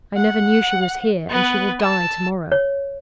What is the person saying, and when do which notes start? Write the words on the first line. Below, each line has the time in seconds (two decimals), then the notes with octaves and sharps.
I never knew she was here, and she will die to-morrow.
0.16 F#5
1.29 B3 B4
1.80 A5 E6
2.52 C#5